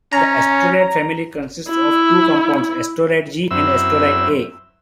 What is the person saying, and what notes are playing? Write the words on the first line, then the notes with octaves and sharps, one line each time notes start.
The Astrolite family consists of two compounds, Astrolite G and Astrolite A.
C#4 A#5
E4
F#2 C4 E4 B4 E5 E6